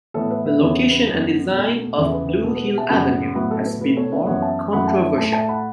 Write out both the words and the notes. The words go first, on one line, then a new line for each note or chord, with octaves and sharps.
The location and design of Blue Hill Avenue has been more controversial.
A2 E3 B3 A4 C#5
B4 E5
B4 E5
E2 C#3 E3 B3 A4 C#5
B4
F#2 F#3 B3 A4
B2 A3
E2 C#3 E3 B3 A4
B4
B4
B2 B3 A4
B4
B4
E5 A5
F#2 C#3 F#3 B3 F#5 B5
A2 F#3 B3 F#5 B5
A4
B4
B2 A3 B4
A4 C#5
B4 E5
F#2 E3 B3 C#5 F#5
E5 A5
F#2 E3 A3 F#5 B5
E5 A5
B4 E5
A2 A3 E5 A5
E5 A5
F#5 B5